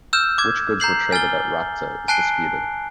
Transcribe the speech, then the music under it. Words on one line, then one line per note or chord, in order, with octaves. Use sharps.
Which goods were traded at Rhapta is disputed.
E6 F6 G6 E7
D6 G#6
A#5 G6 C7 F#7
G#5 F6 A6 G7
G#5 A5 F#6 C7 D7 G7